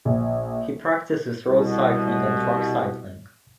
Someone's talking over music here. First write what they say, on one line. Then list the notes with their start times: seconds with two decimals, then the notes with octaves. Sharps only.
He practices road cycling and track cycling.
0.05 A#1
1.47 C2 B2